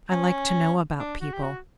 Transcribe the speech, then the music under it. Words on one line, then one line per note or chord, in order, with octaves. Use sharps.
I like to know about people.
C#4
D4
F#4
G4
F#4